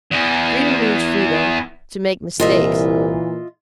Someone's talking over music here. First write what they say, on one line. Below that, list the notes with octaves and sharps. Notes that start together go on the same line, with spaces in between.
Freedom means freedom to make mistakes.
E2 E3
C2 A#2 E3 F4 D#5 E5